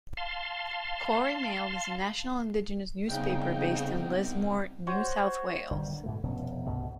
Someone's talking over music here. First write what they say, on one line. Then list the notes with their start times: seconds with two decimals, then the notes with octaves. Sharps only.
Koori Mail is a national indigenous newspaper based in Lismore, New South Wales.
0.17 F5 A5 C6
3.09 C2 C#3 B3 D#4 G5
4.87 F#4 C5 C#5
5.71 G1 D3 D#3 G3
6.04 G#2 B2 A3
6.23 F1 B2 C#4
6.66 C2 G2 B2 A3